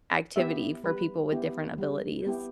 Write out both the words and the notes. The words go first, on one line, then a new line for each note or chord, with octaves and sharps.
activity for people with different abilities.
B3 E4 G4 E5
G3 B4
B3 E4 G4
G3
B3 E4 G4